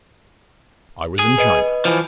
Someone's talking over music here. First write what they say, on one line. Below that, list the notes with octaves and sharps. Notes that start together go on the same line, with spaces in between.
I was in China.
G#4
B4 D#5
E3 F3